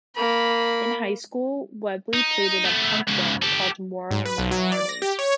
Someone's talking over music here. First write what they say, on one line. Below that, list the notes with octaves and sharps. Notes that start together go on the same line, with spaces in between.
In high school, Webley played in a punk band called Moral Minority.
A#3 B5
D#4
A3 B3
G#2 C#3
G4 A4
G#2
B4
B1
F#3
D5
A#6
G4
C#5